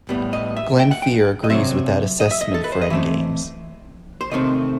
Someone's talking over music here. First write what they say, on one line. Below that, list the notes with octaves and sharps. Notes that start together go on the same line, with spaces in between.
Glenn Flear agrees with that assessment for endgames.
A2 G3 B3
D#5
E5
G5
F#5
G5
D#5
C3 F#3 C4 E5
D#5
E5
D#5
A4
B4
C5
D#5
E3 A3 C4 E5
C5
C3 D#3 A3 C4 D#5